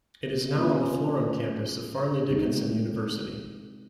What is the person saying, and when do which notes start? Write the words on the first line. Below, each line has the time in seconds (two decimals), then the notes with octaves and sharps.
It is now on the Florham Campus of Fairleigh Dickinson University.
0.57 A#3 C#4 F4
2.29 C3 D#3 G#3 C4 D#4